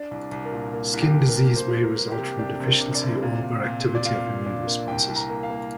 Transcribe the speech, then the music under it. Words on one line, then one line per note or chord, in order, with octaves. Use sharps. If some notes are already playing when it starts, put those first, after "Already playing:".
Skin disease may result from deficiency or overactivity of immune responses.
Already playing: D4 D5
C2
C2
A#4
A#2
A#3
C2
G4
C2
A#4
A#3
A#3 C5
A#3
A#4
A#3
G4
C3
D4 G4
C3
A#4
D4
D5
C3
A#2
A#2
A#2
A#2
D5
A#2 F5
A#2
D4
A#3
C2 G5
C2
A#5
A#3
F5
A#3